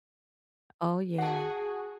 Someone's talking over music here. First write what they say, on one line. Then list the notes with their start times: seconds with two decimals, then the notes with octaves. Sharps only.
Oh, yeah.
1.18 F#4 G#4 F#5 A5